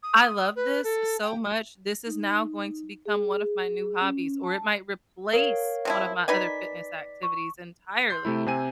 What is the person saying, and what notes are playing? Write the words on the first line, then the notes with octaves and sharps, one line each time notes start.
"I love this so much, this is now going to become one of my new hobbies," or it might replace one of my other fitness activities entirely.
D#6
B4
A4
G5
D#4
G#4
C#4
A5
A#4 C#5 F5
C3 F3 E4
D#4 B4 D5 G#5 B6
C#6
C6 G6
C3 A3 E4
C3 C4 G#5 D#7